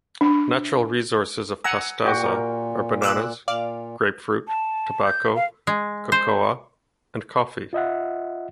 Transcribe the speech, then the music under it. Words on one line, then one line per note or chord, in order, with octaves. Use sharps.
Natural resources of Pastaza are bananas, grapefruit, tobacco, cocoa and coffee.
D4
F#5 G#5 A#5 E6
A#2 F#4 G4 G5
A#4
D6 E6 F#6
A#2 D5 F5 D6
A5
G6
F5
G#3
C5
F4 D#5 E5 F#5